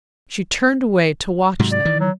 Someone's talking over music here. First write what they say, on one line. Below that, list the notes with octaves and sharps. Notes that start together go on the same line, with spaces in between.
She turned away to watch them.
G#2 C3 F#3
D5
D#3 E3
F#3